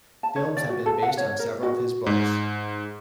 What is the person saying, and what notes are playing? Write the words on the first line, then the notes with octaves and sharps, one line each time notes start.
Films have been based on several of his books.
A5
C#5
D5
F#4
A4
F#5
C#5
A#4
F#4
G#2